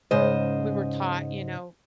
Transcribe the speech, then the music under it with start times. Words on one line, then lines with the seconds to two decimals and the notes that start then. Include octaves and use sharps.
we were taught, you know,
0.11 G#2 C#3 C5 D#5